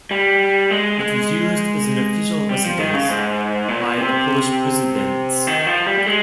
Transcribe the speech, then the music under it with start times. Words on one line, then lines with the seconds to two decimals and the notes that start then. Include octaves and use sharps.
It was used as an official residence by the Polish presidents.
0.11 G3
0.70 G#3
1.00 G#3
2.49 G3
2.64 F3
2.79 D#3
2.94 C#3
3.09 G#2
3.68 A#2
3.98 C3
5.47 D#3
5.67 F3
5.87 G3
5.98 G3
6.06 G#3